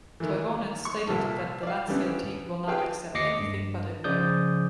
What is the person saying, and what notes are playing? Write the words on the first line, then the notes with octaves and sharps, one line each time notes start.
Toivonen stated that the Lancia team will not accept anything but a win.
D#3 E3
C#6
C2 A#2 G3 A4
D5 F5
E3 G3 B3 C#4 D4
F4 G4 G#4 B4 F5 G5
D#2 D#5 D6 A#6 C7 C#7
G2
C#3 F3 D5 D#6 G6